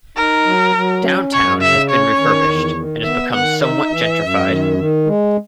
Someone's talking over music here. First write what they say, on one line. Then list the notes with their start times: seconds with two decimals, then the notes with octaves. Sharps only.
Downtown has been refurbished and has become somewhat gentrified.
0.16 D#4 A#4
0.45 F#3
0.75 F#3
1.03 C#4
1.32 F#2 C#5
1.60 C#3 E5
1.89 C#4 C#5
2.18 D#3
2.48 E2
2.76 D#3
3.04 B3 E5
3.34 D#3 F#5
3.62 D#4 E5
3.91 E3
4.20 F#2
4.49 D#3
4.78 D#3
5.06 G#3